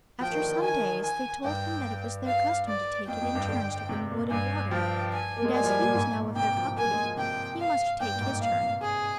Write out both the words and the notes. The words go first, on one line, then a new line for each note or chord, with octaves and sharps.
After some days they told him that it was their custom to take it in turns to bring wood and water, and as he was now of their company, he must take his turn.
F3 G5
D#3
D3
D#3
G#5
G#5
G2 G5
F5
D5
F2 G5
F2
G2
D3
C3
A#2
G2 G#5
F3 G5
G#5
A#3
G#3
G3 G#5
F3
G3
A#2
G#2
A#2
C3 G5
F3
A#3 G#5
G#3
F3
C3 G5
F5
G2 G5
A#2
G#2
A#2 F5
C3
G#4